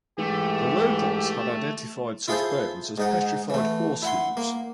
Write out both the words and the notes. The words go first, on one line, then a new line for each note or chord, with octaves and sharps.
The locals had identified such bones as petrified horse hooves.
G#2 E3 A3 G4
E4 F4 G#4 A4 C5
G#2 D#4 F#5
E3 A3
E4 F#5 C6
A#3